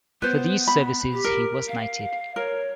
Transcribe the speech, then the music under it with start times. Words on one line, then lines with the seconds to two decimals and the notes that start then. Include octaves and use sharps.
For these services he was knighted.
0.22 B3 B4 C5
0.67 B5
1.12 G4
1.24 A#4
1.68 F5
2.36 A#4 C#5